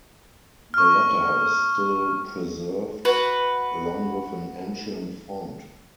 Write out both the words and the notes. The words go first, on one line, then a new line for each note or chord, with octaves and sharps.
The latter is still preserved along with an ancient font.
C#6 F6
F#4 B4